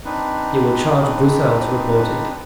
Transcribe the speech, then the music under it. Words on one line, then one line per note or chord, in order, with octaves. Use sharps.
You will charge Broussel to report it.
C4 D4 D#4 B4